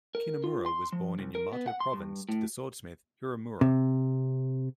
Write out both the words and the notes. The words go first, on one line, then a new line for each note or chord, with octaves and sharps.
Kunimura was born in Yamato province to the swordsmith Hiromura.
A#4
F4
C6
F3
C2
A#4
B3
F#5
C6
G2
A2
C3